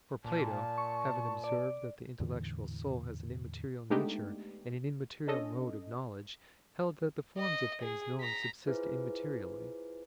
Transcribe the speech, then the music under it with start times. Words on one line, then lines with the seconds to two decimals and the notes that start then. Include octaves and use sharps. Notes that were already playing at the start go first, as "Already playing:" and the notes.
For Plato, having observed that the intellectual soul has an immaterial nature, and an immaterial mode of knowledge, held that the forms of things known subsist immaterially.
0.24 A#2 A5
0.78 C#6
1.44 D5
2.20 E2 A2 D3 E3
3.90 G#3 A3 B3 D4 D#4 G4
5.27 C#4 D4 A4 D#5
7.38 D#5
7.83 G#4
8.21 A#5 B6
8.66 E4 F4 G#4 B4 C5 E5